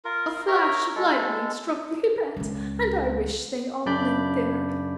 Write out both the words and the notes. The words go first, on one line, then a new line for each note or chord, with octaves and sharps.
A flash of lightning struck the gibbet, and I wish they all lit there.
F4 A#4
A#4 C#5 E5 A#5
G#3 A4
C#2 C#4
F#2 C#3 D4 D5 B5 G6